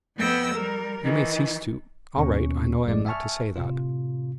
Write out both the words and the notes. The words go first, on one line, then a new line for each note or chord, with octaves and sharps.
You may cease to... all right, I know I am not to say that.
F2 B3 G5 E6 A#6
G3 A#4
D#3 E3
D#2 B2 C#4 C#6
A1 F#2 G#3 D5
E5 G#5 A5 C#6 F6
A2 C3 F4